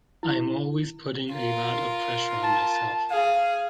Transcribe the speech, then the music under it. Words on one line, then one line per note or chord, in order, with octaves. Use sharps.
I'm always putting a lot of pressure on myself.
E4
F4 A#4
A5
G#4 F5